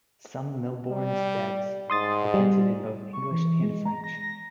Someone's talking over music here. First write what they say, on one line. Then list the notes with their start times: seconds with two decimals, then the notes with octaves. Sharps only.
Some Mille Bornes decks are printed in both English and French.
0.90 G3
1.90 G#2 C6 D#6 A6
2.34 G3
3.13 C#6
3.31 E3
3.63 G#3
3.86 A#5
4.04 A#6